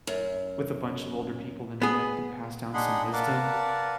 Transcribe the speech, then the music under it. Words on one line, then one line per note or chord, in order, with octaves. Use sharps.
with a bunch of older people than me that could pass down some wisdom.
F#2
B3 G#4
D4 D#4 G#4 F#5 B5 C6
A#4 B4 D5 F5 F#5 A5